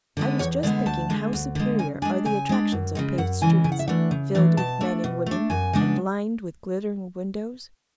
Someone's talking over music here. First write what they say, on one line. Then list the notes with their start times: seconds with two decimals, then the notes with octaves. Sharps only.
I was just thinking how superior are the attractions of paved streets, filled with men and women, and lined with glittering windows.
0.17 D3 G#3 B3
0.39 E2 C#5
0.63 D3 G#3 B3 D5
0.86 D2 A5
1.10 D3 G#3
1.33 D2
1.55 D3 G#3
1.79 C#3 G#5
2.02 D4 G#5
2.05 G#3
2.25 C#3 G#5
2.49 G#3 D4
2.72 F#2
2.95 C#3 E3 G#3
3.18 F#2 F#5
3.41 C#3 E3 G#3 G#5
3.64 C#3 G#5
3.72 F#5
3.79 E5
3.88 E3 A3 D4 F#5
4.11 C#3
4.35 E3 A3 D4
4.57 B2 A5
4.81 A3 D4
5.04 B2
5.26 A3 D4
5.50 F#2 G#5
5.73 C#3 G#3 B3 D4